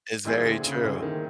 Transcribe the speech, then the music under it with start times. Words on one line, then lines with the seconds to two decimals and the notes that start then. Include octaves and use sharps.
It's very true.
0.25 A#2 E3 G3 C4 E4 G#4
0.45 D3
0.64 C#3
0.83 A#2 D3 G3 C4 E4 G#4
1.02 D#3